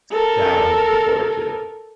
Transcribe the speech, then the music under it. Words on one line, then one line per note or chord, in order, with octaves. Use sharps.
So, that I'm looking forward to.
A4 A#4